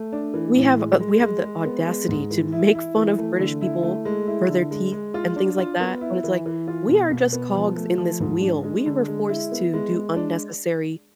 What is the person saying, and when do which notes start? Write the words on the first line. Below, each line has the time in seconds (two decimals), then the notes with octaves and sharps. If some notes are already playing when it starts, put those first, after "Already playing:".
we have a we have the audacity to make fun of British people for their teeth and things like that, when it's like, we are just cogs in this wheel, we were forced to do unnecessary
Already playing: A3
0.12 D4
0.34 E3
0.56 A2
0.77 G#3
1.00 G#3
1.22 G#3
1.43 G#3
1.66 B3
1.87 G#3
2.09 G#2
2.30 E3
2.52 E4
2.75 E4
2.96 E3
3.18 A3
3.39 D3
3.61 E4
3.83 A3
4.05 G#3
4.27 E4
4.48 D3
4.71 G#3
4.92 G#3
5.14 F4
5.36 D4
5.58 F4
5.81 B3
6.01 E4
6.24 E3
6.46 E3
6.67 F4
6.89 B2
7.10 B2
7.33 B3
7.55 F3
7.76 A3
7.98 F3
8.20 G#2
8.41 D4
8.64 G#3
8.86 D3
9.08 G#3
9.29 E4
9.52 B3
9.73 G#3
9.94 G#3
10.16 D4